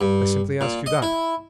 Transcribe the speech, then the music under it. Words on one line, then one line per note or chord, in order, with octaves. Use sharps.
I simply ask you that.
G2
A#2
D#5
E4